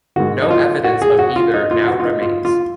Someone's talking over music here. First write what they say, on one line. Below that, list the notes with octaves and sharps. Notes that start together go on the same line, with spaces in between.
No evidence of either now remains.
G#2 D#3 F#4
D#4
F4
F#4
G#4
F#4
F4
D#4
F4
F4
F#4
F4
D#4
F4
F4